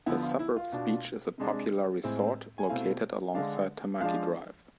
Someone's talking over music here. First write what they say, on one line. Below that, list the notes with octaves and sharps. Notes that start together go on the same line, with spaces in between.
The suburb's beach is a popular resort, located alongside Tamaki Drive.
D3 F3 B3 E4
F4
E4
F4
B2 B3 D4
C3 G#3 D4
A2 G#3 C4 E4 G#4
G#5
B2 A3 C4 E4 F5
D3 G#3 D4 F5
F3 G#3 D4 F5